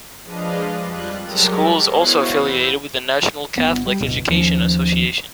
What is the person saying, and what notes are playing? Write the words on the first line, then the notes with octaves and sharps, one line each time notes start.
The school is also affiliated with the National Catholic Education Association.
F3 G#3 D4 B4 D#5 F5
F2 G3 F4 F#6
F#3 G#3 G4 A4 A#4
B3 E4 F#4 C5 C#5 F5
E2 F#5 B5 E6 G6
G1 B3
G3
D1 G1 B2
D#2 F3 C#4